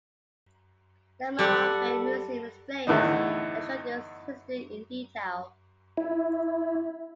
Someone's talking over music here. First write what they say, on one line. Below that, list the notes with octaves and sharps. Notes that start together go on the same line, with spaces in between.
The Mahone Bay Museum explains and shows this history in detail.
G3 A4 F#5
E2 A2 D3 E3 D#4
E4